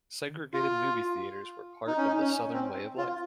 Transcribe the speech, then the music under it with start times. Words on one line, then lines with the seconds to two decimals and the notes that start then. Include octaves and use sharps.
Segregated movie theaters were part of the southern way of life.
0.54 F4
1.87 D#4
1.97 C#4
2.07 D#4
2.20 C#4
2.53 C4
2.98 F4